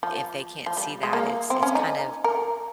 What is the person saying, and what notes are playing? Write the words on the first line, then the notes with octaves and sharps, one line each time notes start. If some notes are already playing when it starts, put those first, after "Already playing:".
if they can't see that, it's it's kind of
F3
F3
G3
G#3
A#3
C4
C#4
D#4
A#4